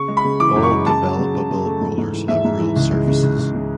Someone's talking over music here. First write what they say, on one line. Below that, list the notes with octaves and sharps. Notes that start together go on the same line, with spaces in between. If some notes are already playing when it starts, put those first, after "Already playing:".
All developable rollers have ruled surfaces.
Already playing: C#3 C#6
G#3
B5
C#3
E3 D6
F#2
C#6
G#3
C#3 A5
F#3
C#3
C#3
C#3
A3
G#2
G#2
E3
G#2 E5
G#2
E3
C#2
G#3
C#3
C#2
C#2
C#3